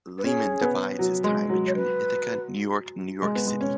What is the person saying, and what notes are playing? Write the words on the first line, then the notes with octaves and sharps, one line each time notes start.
Lehman divides his time between Ithaca, New York, and New York City.
B4
C#4 G#4
B3
F#3
G#3
F#3
C#5
B4
G#3
B3
G#3
C#4